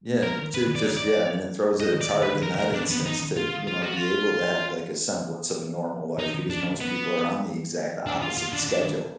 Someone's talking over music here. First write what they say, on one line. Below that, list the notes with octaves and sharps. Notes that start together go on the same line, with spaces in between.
yeah, j just, yeah, I mean, it throws it it's hard in that instance to, you know, be able to have, like, a semblance of a normal life because most people are on the exact opposite schedule,
A#4
B4
D5
D5
D#5
D5
B4
A#4
A#4
D4
B3
D#4
F4
F4
F#4
F4
D#4
D4
B3
D4
F4
F4
D4
D4